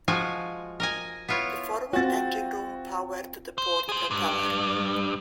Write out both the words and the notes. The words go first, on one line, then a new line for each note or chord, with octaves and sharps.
The forward engine room powered the port propeller.
F3 G#3 F4 F#4 G#5
A#4 D#5 G#5
B3 E4 F4 C#5
C4 F4 F#4 A6
C5
G#4 C5
G2